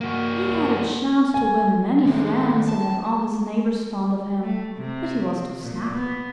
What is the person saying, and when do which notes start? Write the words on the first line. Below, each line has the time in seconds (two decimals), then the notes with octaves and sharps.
He had a chance to win many friends and have all his neighbors fond of him, but he was too snappy.
0.01 A#3 F#4
1.34 G#5
2.05 D#3 G#3 A3
2.68 A5
4.42 A3
4.76 C3
5.63 A#2
5.92 B3